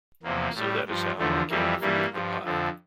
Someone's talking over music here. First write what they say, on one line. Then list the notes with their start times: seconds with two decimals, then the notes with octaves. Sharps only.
So that is how I came to forget the pie.
0.23 E2 C3 F3 A#3
0.54 A2 G3
0.86 G2 F3
1.17 E2 D3 F3 A3
1.49 F2 E3 G3 A#3
1.81 G2 E3 G3 A#3
2.12 G2 F3
2.44 F2 D3 F3